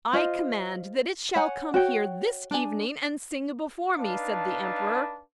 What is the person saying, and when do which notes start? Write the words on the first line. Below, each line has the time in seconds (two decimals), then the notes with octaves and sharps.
"I command that it shall come here this evening, and sing before me," said the Emperor.
0.13 F4 C5 D#5
1.36 C#5 F#5 G#5
1.74 F#4 C#5 G5
2.51 D4 G#5
3.98 D4 D#4 B4 F5 A5